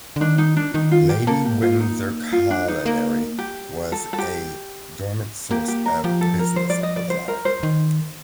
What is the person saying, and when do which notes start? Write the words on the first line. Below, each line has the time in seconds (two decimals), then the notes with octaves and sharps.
Lady Windsor Colliery was a dominant source of business for the line.
0.16 D3
0.21 D#3 D4
0.38 D#4
0.57 D4
0.74 D#3 D#4
0.91 F4
1.09 G4
1.27 A#3 A4
1.45 G4
1.62 F4
1.80 D#4
2.32 F4
2.50 D4
2.68 D#4
2.86 A#3
3.38 G4
3.92 A4
4.13 A4
4.18 G4
5.51 A#3 G4
5.68 G4
5.86 A#4
6.04 F3 G4
6.21 A4
6.39 A#4
6.56 C5
6.70 D5
6.83 D#5
6.96 D5
7.10 C5
7.28 A#4
7.45 C5
7.63 D#3